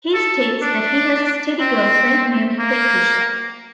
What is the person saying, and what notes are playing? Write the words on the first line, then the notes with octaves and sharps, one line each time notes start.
He states that he has a steady girlfriend named Petrusha.
A4
D4
C4
A#3